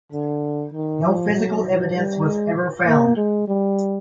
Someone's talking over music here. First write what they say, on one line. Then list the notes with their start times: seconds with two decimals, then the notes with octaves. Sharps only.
No physical evidence was ever found.
0.12 D3
0.74 D#3
1.04 F3
1.34 F#3
1.95 G3
2.25 G#3
2.87 A#3
3.17 G#3
3.48 G3